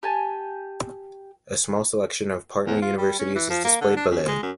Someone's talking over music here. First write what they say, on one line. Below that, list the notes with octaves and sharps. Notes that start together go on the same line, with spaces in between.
A small selection of partner universities is displayed below.
G4 G#5 A5
E2
F4
G3
C#4
E3
F3
A#3
D3
D4
F#2
G#3
F#2